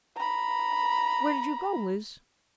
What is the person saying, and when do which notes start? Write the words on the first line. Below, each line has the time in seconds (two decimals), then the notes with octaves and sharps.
'Where did you go, Liz?'
0.17 A#5 B5